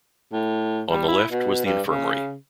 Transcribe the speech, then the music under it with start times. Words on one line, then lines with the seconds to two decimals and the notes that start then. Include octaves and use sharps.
On the left was the infirmary.
0.33 A2
0.91 G3
1.08 E4
1.31 B2
1.65 G2
1.88 C#3